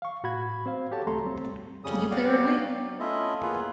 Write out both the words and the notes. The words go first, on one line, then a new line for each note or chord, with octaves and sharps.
Can you play Rugby?
F5 C#6
A2 F#4 B5 G#6
C4 C5 F5
F#4 G4 A4 C#5 A5
C2 A3 G4 A4 A#5 C6
G3 C4
F2 C#3 G3 C#4 D#6
F#4 G4 C#5 D5 F5
F#3
A3 C#4 E4 F4 D#5 E5
A#3 B3 F4 G#4 B4